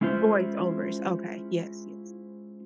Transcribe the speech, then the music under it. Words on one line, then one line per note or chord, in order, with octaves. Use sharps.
Voice overs, okay, yes, yes.
G#3 C#4 E4 F4 C5